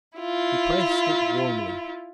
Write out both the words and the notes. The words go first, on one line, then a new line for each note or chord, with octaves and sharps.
He pressed it warmly.
E4 F4